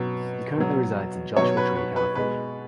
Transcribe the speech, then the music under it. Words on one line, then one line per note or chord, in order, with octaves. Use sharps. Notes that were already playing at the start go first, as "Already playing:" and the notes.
He currently resides in Joshua Tree, California.
Already playing: B2 F#3
B2 F#3
B2 F#3 C#5
B4
B4
B4
B2 G#3 B4